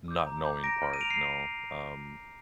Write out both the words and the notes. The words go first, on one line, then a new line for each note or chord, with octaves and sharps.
not knowing part, you know? Um,
D6 G6
A#5
D6 G6
A#5 A#6 D7
F6
D#7
A#5 D7 F7
C7 D#7